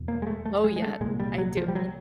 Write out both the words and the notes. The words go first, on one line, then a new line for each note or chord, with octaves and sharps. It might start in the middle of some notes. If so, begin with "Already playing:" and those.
Oh, yeah. I do.
Already playing: E2 B2
A#3
G#3
A3
A3
G#3
G#3
A3
C2 A#2 G#3
G3
F#3
F3
G3
F#3